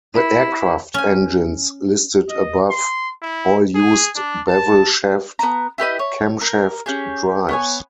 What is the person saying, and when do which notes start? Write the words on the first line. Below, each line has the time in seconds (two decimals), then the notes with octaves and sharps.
The aircraft engines listed above all used bevel shaft camshaft drives.
0.13 E4
0.94 C#4 G#5
2.29 D#5
2.70 C6
3.22 E4
3.75 G#4
4.16 D4
4.48 A5
5.39 B3 A#5
5.78 E4 G4 B4 D#5
5.99 C#5
6.41 A#4
6.86 C#4 G4 G#4
7.49 B3 C#5 G#5